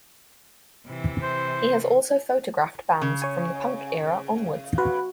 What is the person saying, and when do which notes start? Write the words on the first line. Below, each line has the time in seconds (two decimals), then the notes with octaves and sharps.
He has also photographed bands from the punk era onwards.
0.86 C3 E3
1.22 C5
3.02 C#3
3.22 C#5 G#5
4.78 F#4 B4